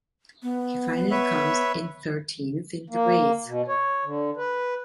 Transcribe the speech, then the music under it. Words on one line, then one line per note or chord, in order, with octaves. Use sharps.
He finally comes in thirteenth in the race.
B3
B4 C#5 E5
A#3
B2
C#5
D3
B4